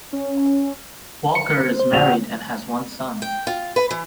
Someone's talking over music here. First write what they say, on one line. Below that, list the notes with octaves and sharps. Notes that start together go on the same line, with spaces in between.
Walker is married and has one son.
C#4
C#7
C5
C5
A#1 F#4 G5 F7
G5
F4
B4
E3